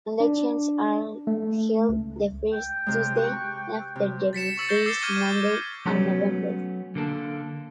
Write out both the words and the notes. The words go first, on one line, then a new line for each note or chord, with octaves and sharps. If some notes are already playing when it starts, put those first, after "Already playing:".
Elections are held the first Tuesday after the first Monday in November.
D4
A3
C#2
G5
C3 G#3
G4 C#6 F#6
C3
A6 B6 C#7 E7
C#6 E6 A6 C#7
G6 A6 A#6 C7 G7
D6 E6 G6 C7 C#7
D6 F6 G6 G#6 D#7 G7
G6
F#3 A3 B3 C#4
D3 A#3 A4